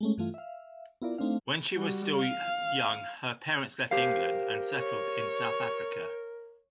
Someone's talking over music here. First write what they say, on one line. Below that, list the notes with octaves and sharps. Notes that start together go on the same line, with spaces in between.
When she was still young her parents left England and settled in South Africa.
G#3 A3 C#4
G2 E3 A3 F4
E5 F5
B3 E4 F4 A#4 D5
A3 C4 D4 D#4 F5
G3 F#4
F5
G4 A#4 C5 F5
C#5